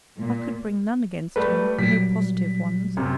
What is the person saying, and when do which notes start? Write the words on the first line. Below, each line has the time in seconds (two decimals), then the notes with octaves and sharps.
I could bring none against him--no positive ones.
0.17 A#2
1.36 G3 A3 B4
1.79 A#2 F#3 G3 B6
2.97 F#2 C3